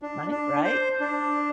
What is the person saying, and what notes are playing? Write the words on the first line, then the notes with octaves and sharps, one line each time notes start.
Right, right.
D4
D4
C5
D4